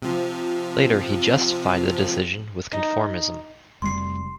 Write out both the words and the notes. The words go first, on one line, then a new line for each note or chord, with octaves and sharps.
Later he justified the decision with conformism.
C3 F3
D#4
F1 G3 C6 C7